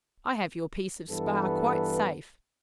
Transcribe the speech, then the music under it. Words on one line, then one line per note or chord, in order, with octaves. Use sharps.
I have your piece of spar quite safe.
G2 E3 B3 A4 B4